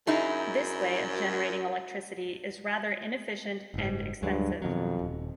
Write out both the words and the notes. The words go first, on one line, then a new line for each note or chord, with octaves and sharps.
This way of generating electricity is rather inefficient and expensive.
F#2 D#4 E4 G#4
F#1 G#2
D2 G2 F#3 G#3
F2 B2 D#3 F#3
D#1